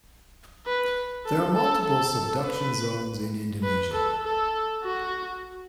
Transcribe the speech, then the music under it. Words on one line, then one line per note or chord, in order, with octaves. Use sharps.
There are multiple subduction zones in Indonesia.
B4
A4
A4
A4
B4
B4
A4
A4
F#4